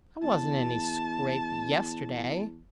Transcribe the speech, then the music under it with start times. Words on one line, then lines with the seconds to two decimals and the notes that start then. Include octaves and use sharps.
"I wasn't in any scrape yesterday."
0.23 E2 A5